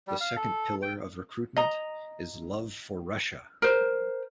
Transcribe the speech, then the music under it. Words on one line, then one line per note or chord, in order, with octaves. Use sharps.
The second pillar of recruitment is love for Russia.
G3
F5
A4
G5
D#5 A#5
A#4 C5